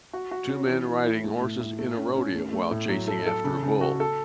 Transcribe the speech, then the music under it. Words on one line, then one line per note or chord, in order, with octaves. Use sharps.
Two men riding horses in a rodeo while chasing after a bull.
F#4
F#4
C#4
E3
E3
E4
A3
A2
A2
A3
C#4
C#4
A3
A3
A2
F#3
A4
A4
C#3
C#3
F#4
A4